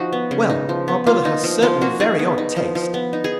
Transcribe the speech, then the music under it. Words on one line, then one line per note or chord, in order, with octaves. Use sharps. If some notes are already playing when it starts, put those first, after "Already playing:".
Well, our brother has certainly very odd taste!'
Already playing: F3 D#4 F#4
B3
C#3
D#4
F3
B3
A#3 F4
D#4
F3
F3 F4
A#3 F#4
D#4 G#4
B3
D#4
F3
F3
B3
D#4
G#4